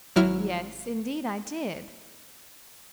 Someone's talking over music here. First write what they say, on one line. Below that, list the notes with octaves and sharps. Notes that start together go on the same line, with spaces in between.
"Yes, indeed, I did."
G#1 F#3 E4 F6